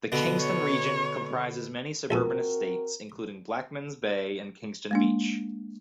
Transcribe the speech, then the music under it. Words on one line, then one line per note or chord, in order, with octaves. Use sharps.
The Kingston region comprises many suburban estates, including Blackmans Bay and Kingston Beach.
B2 D3 B3
C#5
A#1 C4 F#4 A4 A#4 G#5
G#3 A#3 D4